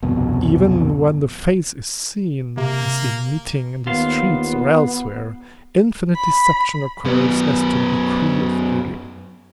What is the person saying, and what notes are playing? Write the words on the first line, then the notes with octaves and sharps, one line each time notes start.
Even when the face is seen, as in meeting in the streets or elsewhere, infinite deception occurs as to the degree of beauty.
G1 C2 F2 B2
C3 A#3
D#2 B3 F4 C5 F5
B5
F#2 B3